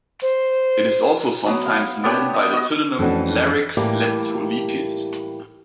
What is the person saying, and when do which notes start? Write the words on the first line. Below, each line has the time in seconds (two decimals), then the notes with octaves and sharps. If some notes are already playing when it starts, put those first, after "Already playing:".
It is also sometimes known by the synonym "Larix leptolepis".
0.22 C5
1.46 F#3 B3
1.66 F5
2.04 B3 D4 G4 C#5
2.34 D#5 E5
2.53 F#4 D#5
2.99 F2 E3 A3 C#4 D4 F#4
3.77 A2 E3 G3 A#3 G4